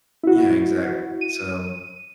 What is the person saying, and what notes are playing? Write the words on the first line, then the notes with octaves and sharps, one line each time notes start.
Yeah. Exact so,
E4 F#4
D#7